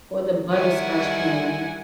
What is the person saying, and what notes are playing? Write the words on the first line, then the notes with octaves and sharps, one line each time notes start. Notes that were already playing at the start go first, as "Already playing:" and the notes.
Or the butterscotch candy.
D#3 G3 E4 F#5 G#5